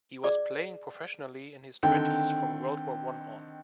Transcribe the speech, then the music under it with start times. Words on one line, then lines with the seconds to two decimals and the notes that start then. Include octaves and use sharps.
He was playing professionally in his twenties, from World War One on.
0.24 G#4 D5 D6
1.83 D3 D#3 C4 G5